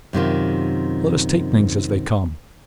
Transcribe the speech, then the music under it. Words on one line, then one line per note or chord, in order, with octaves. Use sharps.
Let us take things as they come.
F#2 C3 D#3 F4